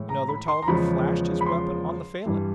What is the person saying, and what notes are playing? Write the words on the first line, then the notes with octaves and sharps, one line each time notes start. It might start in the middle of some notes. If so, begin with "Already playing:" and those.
Another Tolliver flashed his weapon on the Falin.
Already playing: A2 E3 G#3
A#5
B5
C6
A#5
E2 C#3 F3 G#3 B5
B5
C6
G2 E3 G3